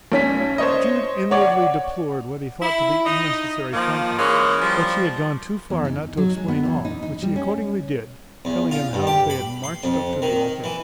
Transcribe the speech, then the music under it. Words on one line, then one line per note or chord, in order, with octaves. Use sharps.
Jude inwardly deplored what he thought to be unnecessary frankness; but she had gone too far not to explain all, which she accordingly did, telling him how they had marched up to the altar.
B1 C#4 B6
C5 C#5 D#5
C#5 D5 F#5
E4
D#4 D#5
D#3 F3 A#3
E3 G#3 A#3 C#4
F3 G3
E2
D#4
F#3
G#3
B3
E2
D#4
D#4
G3
C#4
E2
F4
G2
G4
B5
C6
F2
D#3
E3